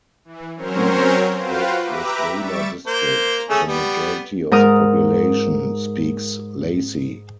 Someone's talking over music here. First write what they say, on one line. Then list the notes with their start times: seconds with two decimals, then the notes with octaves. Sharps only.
In the Lasbela District, the majority of the population speaks Lasi.
0.25 E3
0.55 F#3 C4 C#4 A#4 C5 C#5
1.35 F4 F#4 B4 C5 F5 G5
1.82 G4 B4 E5 A#5 D6
2.36 G3 E5 C#6 A6 D7 E7
2.87 A#3 C5
3.49 A3 C#4 G#4
3.67 G3 B3
4.51 G#2 A#4 D#6 F6